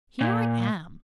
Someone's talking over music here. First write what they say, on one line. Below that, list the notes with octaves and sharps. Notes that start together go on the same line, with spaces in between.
Here I am.'
A#2